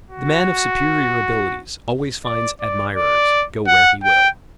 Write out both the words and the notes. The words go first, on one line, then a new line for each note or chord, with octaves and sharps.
The man of superior abilities always finds admirers, go where he will.
F#4
D5
D5
D5
F#5
G5